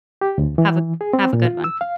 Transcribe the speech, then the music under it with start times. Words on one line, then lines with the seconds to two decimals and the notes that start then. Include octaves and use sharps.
Have a have a good one.
0.21 G4
0.38 D2
0.58 E3
1.01 G#4
1.13 C4
1.33 A#2
1.45 F4
1.64 E6
1.81 F5